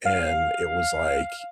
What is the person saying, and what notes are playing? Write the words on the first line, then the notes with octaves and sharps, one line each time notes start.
and it was like
F5